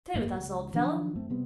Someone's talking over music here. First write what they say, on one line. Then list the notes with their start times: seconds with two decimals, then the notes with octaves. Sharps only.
"Stay with us, old fellow."
0.14 G#1 F#2 A3 A#3
0.35 C#2
0.74 D#3 F3 F#3 D4
1.15 F#2 A3 C4
1.30 C3 G3 B3 C4